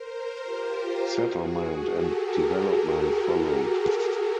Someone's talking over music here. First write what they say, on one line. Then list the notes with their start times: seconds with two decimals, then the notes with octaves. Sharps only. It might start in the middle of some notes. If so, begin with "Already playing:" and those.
Settlement and development followed.
Already playing: A#4 C5
0.44 F4 G4
1.07 F#4 G#4
1.70 G4 A4
2.02 G#4 A#4